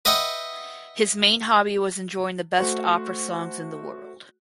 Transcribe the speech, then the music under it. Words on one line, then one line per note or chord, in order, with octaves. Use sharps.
His main hobby was enjoying the best opera songs in the world.
B4 D#5 E5 F#5 G5
A3 F#4 C5